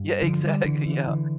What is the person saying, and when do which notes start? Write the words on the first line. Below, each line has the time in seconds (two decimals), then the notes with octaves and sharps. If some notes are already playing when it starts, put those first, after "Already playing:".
Yeah, exactly, yeah,
Already playing: G2
0.22 D3 F3
0.44 G3
0.65 D3 E3
0.86 E3
1.07 D3 E3